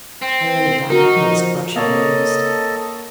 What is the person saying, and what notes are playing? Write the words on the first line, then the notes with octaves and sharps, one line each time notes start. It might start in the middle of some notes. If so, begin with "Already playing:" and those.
I laid down the paste-brush and mused.
C4
D#4 F#4 A#4
F3
A#3 A4 C#5 D#5